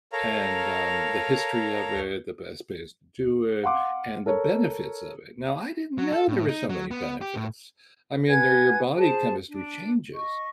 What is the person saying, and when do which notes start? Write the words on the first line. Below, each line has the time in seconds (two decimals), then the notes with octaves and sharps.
and, um, the history of it, the best bays to do it, and the benefits of it, now I didn't know there were so many benefits. I mean, they're your body chemistry changes,
0.13 A4 A#4 C#5 F5 A#5
3.63 F5 F#5 C6 D6
4.26 A4 A#4 C#5
5.98 F#3
6.12 A4
6.28 A2
6.48 D#4
6.70 F#3
6.91 B3
7.21 G4
7.36 A2
8.27 B4 F#5 G#5 G#6
8.96 G#4 C5 A5
9.48 D4
10.12 D#5 C#6